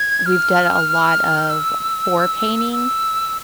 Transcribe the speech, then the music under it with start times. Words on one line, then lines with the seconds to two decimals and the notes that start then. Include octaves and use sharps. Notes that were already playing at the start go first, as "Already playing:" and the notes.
we've done a lot of pour painting,
Already playing: G#6
0.26 F6
1.50 E6
2.73 E6